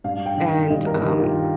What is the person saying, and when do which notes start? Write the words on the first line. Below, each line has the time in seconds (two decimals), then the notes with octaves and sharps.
and, um,
0.04 G2 F5
0.26 G5
0.37 D#3
0.48 F5
0.70 G2 D#5
0.86 A#4
1.02 D#3 G4
1.19 F4